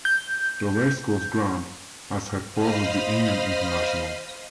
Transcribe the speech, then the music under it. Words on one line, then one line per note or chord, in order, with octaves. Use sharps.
The Racecourse Ground has held four rugby union internationals.
G6
C5 D#5 F5 B5 D#6 F6